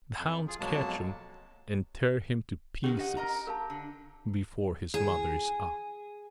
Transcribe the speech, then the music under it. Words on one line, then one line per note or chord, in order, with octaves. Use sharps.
The hounds catch him, and tear him to pieces before his mother's eyes!...
F2
F4 G#4
F2 B2 F#3 G#3 A#3 A5
D3 C#4 F#4 G4 A#4
B4 D#5 F#5
A#4 D#5 A#5
G4 A#4 F5 A5
D3
G#4